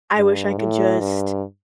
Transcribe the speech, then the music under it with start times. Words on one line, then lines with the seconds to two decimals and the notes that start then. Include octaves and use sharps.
I wish I could just,
0.17 G2
0.57 A2
0.99 G2